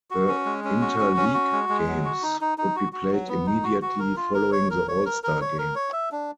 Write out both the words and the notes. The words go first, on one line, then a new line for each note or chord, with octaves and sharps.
The interleague games would be played immediately following the All-Star Game.
F#4
C#4
G#3
C#4
F#4
C#4
C#4
F#4
G#3
G#3
F#3
F#4
D#4
D#4
D#4
F#4
F#4
F#3
B3
D#4
F#4
F#4
A#4
F4
A#4
C#5
A#4
C#5
A#4
A#4
C#5
A#4
C#5
E5
D4